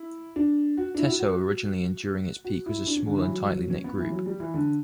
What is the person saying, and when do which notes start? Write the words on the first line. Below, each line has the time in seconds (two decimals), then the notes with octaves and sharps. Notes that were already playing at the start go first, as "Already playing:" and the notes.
Teso originally and during its peak was a small and tightly knit group.
Already playing: E4
0.36 D4
0.77 F#4
0.95 D4
0.99 E4
1.09 F#4
1.20 F#4
2.44 F#4
2.66 E4
2.87 D4
2.97 C#4
3.07 D3
3.18 E3
3.29 F#3
3.50 F#3
3.70 C#4
3.84 B3
3.98 E3
4.12 F#3
4.26 G3
4.40 E3
4.54 D3